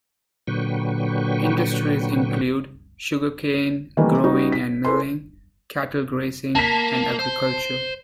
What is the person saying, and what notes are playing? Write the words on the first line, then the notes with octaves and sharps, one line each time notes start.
Industries include sugar cane growing and milling, cattle grazing and agriculture.
A#2 D3 F#3 B4 G5 C#6
D#3 E3 G3 A3 A#3
G3 B3 D#4 F#4
B6
E4 G#4 A4 B4 C6
A#3 A5 B6
C5